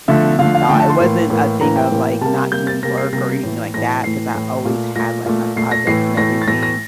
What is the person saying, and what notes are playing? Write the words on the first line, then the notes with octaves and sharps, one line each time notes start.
we thought. It wasn't a thing of, like, not doing work or anything like that, 'cause I always had, like, my projects and everything
D3 F3 A3 E5
D3 F3 A3 F5
F5
D3 F3 A3 G5
A5
C6
A2 E3 A#3
A2 E3 A#3
A2 E3 A#3 A#5
G5
A2 E3 A#3
C3 G3 A#3 A5
C3 G3 A#3 G6
A6
C3 G3 A#3 A#6
C7
C3 G3 A#3 A#6
A2 E3 A3
A2 E3 A3 A#6
A2 E3 A3 C7
A2 E3 A3
A#2 A3
A#2 A3 A#6
A#2 A3
A#2 A3 C7
A#6
A2 E3 A3 C7
A2 E3 A3 A#6
A6
A2 E3 A3 A#6
A#6